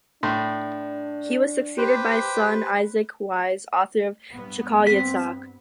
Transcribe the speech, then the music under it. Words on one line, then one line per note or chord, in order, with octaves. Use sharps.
He was succeeded by his son, Isaac Weiss, author of "Chakal Yitzchak".
A2 D4 C6
G4 B4 C5
G2 B3
C4 B6